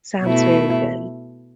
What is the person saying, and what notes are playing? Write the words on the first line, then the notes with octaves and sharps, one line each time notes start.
Sounds very good.
B2 A3 E4